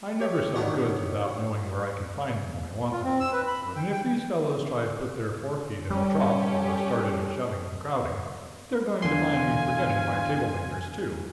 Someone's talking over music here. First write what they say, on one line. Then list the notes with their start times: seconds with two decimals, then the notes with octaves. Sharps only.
I never sell goods without knowing where I can find them when I want them, and if these fellows try to put their forefeet in the trough, or start any shoving and crowding, they're going to find me forgetting my table manners, too.
0.20 G4 C#5
0.56 D#3 D4 F#4
2.92 F4
3.04 C4
3.20 E6
3.32 B4
3.47 B5
3.63 F#2
3.76 G5
3.92 G5
5.90 G3 C#4 G4 A4
9.02 E2 D3 F5 G#5 C6